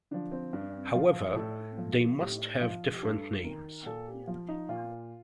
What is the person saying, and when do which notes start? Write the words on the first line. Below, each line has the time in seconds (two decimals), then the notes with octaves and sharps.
However, they must have different names.
0.11 D3 F3 D4
0.32 C4
0.53 G2 D4
0.94 F3 F4
1.36 A2 A4
1.77 F3
2.19 A2 G4
2.61 F3 F4
2.95 G4
3.03 G2 A4
3.44 D#3 A#4
3.86 A#2 A4
4.07 G4
4.27 F3 F4
4.48 D#4
4.69 A#2 F4